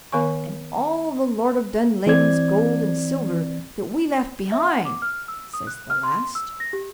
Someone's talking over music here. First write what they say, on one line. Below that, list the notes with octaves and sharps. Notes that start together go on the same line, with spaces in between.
"And all the Lord of Dunlavin's gold and silver that we left behind," says the last.
D#3 B3 C#5 G#5 C#6
E3 C4 D5 G#6
E5
F#5
D6
F6
E6
D#6
F#6
F6
C6
E6
A#6
G4